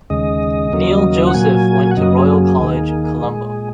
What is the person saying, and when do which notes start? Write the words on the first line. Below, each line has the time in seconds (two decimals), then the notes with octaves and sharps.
Neil Joseph went to Royal College, Colombo.
0.10 D#2 C#3 G#3 D#5
0.72 D#2 C#3 F#3 A#3
1.27 F#5
1.34 A#2 F#3 A#3 G#5
1.91 F#5
1.97 F#2 C#3 F#3 A#3 D#5
2.18 G#4
2.38 G#4
2.59 D#2 D#3 A#3
3.22 A#2 G#3